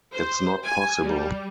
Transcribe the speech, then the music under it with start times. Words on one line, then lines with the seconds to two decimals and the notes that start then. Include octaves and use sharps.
It's not possible.
0.13 C5
0.64 G#5
1.04 G3